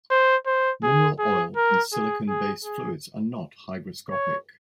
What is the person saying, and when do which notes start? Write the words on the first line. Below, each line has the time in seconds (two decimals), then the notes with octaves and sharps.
Mineral oil and silicone based fluids are not hygroscopic.
0.11 C5
0.46 C5
0.83 G#4
1.19 G#4
1.56 A#4
1.93 G#4
2.28 G#4
2.65 G#4
4.11 C#5